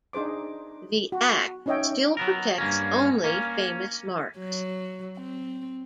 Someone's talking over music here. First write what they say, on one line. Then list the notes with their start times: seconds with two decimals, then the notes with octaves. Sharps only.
The Act still protects only famous marks.
0.13 D4 D#4 G#4 C5 D6
1.12 F#4
1.66 C#4 D#4 C#5 D#5 E5 G5
2.17 F#3 B3 A#4
2.58 G2 A#3 C#4
3.24 A#3 C#4
4.38 F#3
5.17 C4